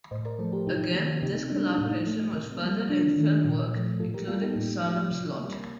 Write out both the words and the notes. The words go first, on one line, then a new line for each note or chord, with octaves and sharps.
Again, this collaboration was furthered in film work, including "Salem's Lot".
A2 C5 D#5
A#4 D5
F3 A3 A4 C5
G4 A#4
C3 D#4 G4
D#3 A#3
C3 D#4 G4
D#4
G3 A#3 D4
D#4
A2 D#4
A3
C3
G3 A#3
C3 D4 F4
D#3 A3
A#2
F3 A3
A2 F4 A4
G4 A#4
G3 A#3 F4 A4
D#4 G4
A2
F3 A3
C3
G3 A#3